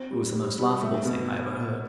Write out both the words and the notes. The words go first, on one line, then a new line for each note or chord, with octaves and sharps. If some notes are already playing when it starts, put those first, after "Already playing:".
It was the most laughable thing I ever heard.
Already playing: C4
G3
G3
G3
A3
B2